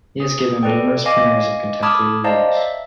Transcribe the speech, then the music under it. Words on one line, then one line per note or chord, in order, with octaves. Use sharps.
He has given numerous premieres of contemporary works.
G#4
A4 B4 D5 G5
D#5 F5 G#5 D6 A#6
A5 B5 D6 D#6 F6 G#6
C5 D5 D#5 F5 A5 A#5
E5